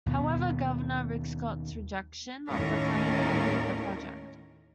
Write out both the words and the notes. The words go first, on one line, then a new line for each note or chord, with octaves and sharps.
However, Governor Rick Scott's rejection of the funding ended the project.
D#2 B2 B3
D#2 A2 C#4 A#4